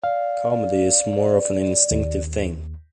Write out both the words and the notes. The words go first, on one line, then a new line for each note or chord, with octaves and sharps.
Comedy is more of an instinctive thing.
D5 F5
D#2